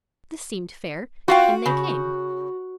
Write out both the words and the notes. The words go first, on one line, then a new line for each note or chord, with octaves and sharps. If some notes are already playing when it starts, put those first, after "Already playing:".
This seemed fair, and they came.
F4 F#4 F5 G5
C#3